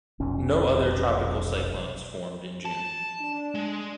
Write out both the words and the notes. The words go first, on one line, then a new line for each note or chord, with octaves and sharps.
No other tropical cyclones formed in June.
F1 B1 C#4
A5
D4
G#3